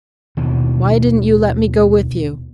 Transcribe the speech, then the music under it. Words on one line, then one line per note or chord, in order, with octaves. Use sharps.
"Why didn't you let me go with you?"
D#2 B2 D#3 E3